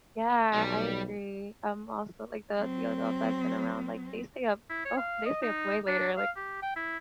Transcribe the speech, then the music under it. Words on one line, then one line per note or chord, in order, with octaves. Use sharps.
yeah, I agree, um, also like the the adults I've been around, like they stay up, oh, they stay up way later,
B1 G3
F#3 C4
E4
C#5
F5
D#5
D#4
D4
F5
G4
G5
E4